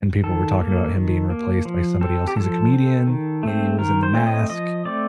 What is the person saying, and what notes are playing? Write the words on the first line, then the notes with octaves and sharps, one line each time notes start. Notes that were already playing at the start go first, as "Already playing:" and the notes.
and people were talking about him being replaced by somebody else. He's a comedian. He was in The Mask.
D#3 A4
A#3
D#3
A#3
F3
C4 A4
G4
F3 A4
C4
D#3
A3 C4
D#3 A#4
C5
A3 C4
D#5
F3 D#5
A3 C4 D5